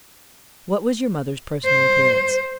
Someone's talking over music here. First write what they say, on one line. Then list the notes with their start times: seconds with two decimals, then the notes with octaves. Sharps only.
"What was your mother's personal appearance?"
1.65 C5